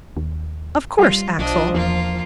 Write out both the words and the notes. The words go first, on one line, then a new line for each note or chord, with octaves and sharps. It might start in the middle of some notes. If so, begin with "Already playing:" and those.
"Of course, Axel."
D#2
G3 F4
B1 F3 D4 D#5
E2 A#3 F4